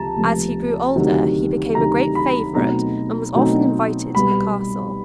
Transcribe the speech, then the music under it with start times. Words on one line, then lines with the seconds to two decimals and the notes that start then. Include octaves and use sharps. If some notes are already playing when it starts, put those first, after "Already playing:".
As he grew older he became a great favorite and was often invited to the castle.
Already playing: C#2 C3 F3 A5 A#5
0.16 C#2 C3 F3 A3
0.96 D2 C3 D#3 F#3
1.75 D2 C3 D#3 F#3 A#5
2.15 B5
2.55 B2 F#3 A3 C4 D#4 A#5
3.35 B2 F#3 A3 C4 D#4
4.15 C2 B2 G3 B3 B5